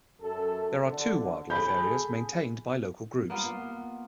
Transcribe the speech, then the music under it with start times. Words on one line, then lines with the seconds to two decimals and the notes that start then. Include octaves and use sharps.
There are two wildlife areas maintained by local groups.
0.20 F#2 A4
0.85 D3
1.50 G#4 A4 B5 G6
3.30 A#3 B3 F4